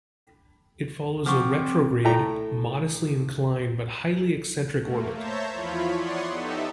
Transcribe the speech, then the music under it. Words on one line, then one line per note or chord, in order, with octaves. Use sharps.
It follows a retrograde, modestly inclined but highly eccentric orbit.
F3 C4 D#4 F#5 C#6 D6
A2 A3 G5 A#5
A3 A#3
C5 C#5 E5 A5 A#5 G6
E2 F3 E4 F4 C#5 B5
C#5 D5 F#5 C6 C#6 D#6
B3 D#4 G4 A4 E5